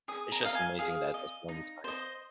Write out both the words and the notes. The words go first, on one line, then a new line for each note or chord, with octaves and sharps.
it's just amazing that that's the only time
G#4 D#6
A#5
D#5 F5
G#5
G#4 F5
D#5
D#4
C5 D#5